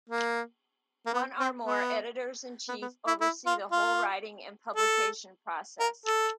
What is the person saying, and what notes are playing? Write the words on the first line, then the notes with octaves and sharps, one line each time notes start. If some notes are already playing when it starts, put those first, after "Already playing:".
One or more Editors-in-Chief oversee the whole writing and publication process.
A#3
A#3
B3
C4
B3
B3
B3
E4
E4
F4
F4
A4
A#4
A4